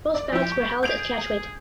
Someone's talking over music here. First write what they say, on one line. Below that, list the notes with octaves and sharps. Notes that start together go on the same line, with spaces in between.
Both bouts were held at catchweight.
D5
F3 E4 G4
C#6
G#4 G6 D7 F7